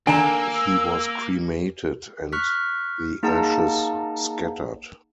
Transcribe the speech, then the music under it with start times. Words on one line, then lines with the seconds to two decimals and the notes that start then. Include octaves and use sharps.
He was cremated and the ashes scattered.
0.07 D3 D#3 A#3 D4 G#5 A#5 E6
2.32 C#6 F6 F#6 B6
3.23 A#3 D#4 G#4 F#5 A5 A#5